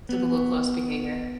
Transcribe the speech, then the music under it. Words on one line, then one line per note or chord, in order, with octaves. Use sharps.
Typical close behavior.
B3